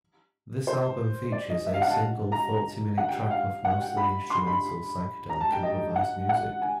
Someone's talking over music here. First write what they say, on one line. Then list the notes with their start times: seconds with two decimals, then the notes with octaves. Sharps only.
This album features a single forty minute track of mostly instrumental psychedelic improvised music.
0.67 C5
1.32 D5
1.50 D#5
1.66 E5
1.74 F5
1.82 F#5
1.90 A5
2.32 A#5
2.98 F#5
3.08 G5
3.21 G5
3.31 F5
3.65 F#5
3.81 G5
3.97 B5
4.30 C6
4.47 B5
5.29 A#5
5.41 A5
5.52 G5
5.63 D#5
5.96 F#5
6.29 F#5
6.62 G#5